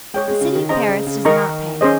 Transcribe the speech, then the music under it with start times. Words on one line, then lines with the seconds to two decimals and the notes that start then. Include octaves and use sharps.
The city of Paris does not pay.
0.14 G#3 G#4 C#5 G5
0.28 G#3
0.41 C#3
0.55 D#3
0.69 C#3 G#4 C5 D#5 A#5
0.88 C#3
1.07 C#3
1.25 D#3 D#4 A#4 D#5 A#5 C#6
1.81 C#4 G#4 C5 D#5